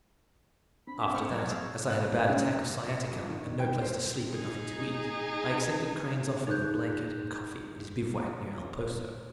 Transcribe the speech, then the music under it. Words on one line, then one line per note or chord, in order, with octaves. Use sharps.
After that, as I had a bad attack of sciatica and no place to sleep and nothing to eat, I accepted Crane's offer of a blanket and coffee at his bivouac near El Poso.
C4 D4 B5
C4 E5 G5 G#5 E6 F6 C#7
E2 F3 F#3 F#4 A#4 C#5 D5
G#4 E5 F5 A5
F#6
C#4
C#7
F2
D#3
G5
C5
D#4 G#4
D#4 G#4 F#6 G6